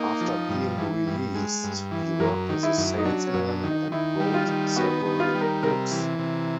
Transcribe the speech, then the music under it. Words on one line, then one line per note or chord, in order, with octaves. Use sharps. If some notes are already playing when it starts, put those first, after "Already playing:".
After being released, he worked as a salesman and wrote several books.
Already playing: A#3 D#4
F3
G2
E3
G2
G#3
G2
E3
F#2 A#4
D#3
E4
F#2
D#4
F#3 D4
C#4
F#2
D4
D#3
D#4
D#3 E4
G3
F4
D#3
B3 F#4
D#3
F4
G3
A#4
C3 A#4
E3
C3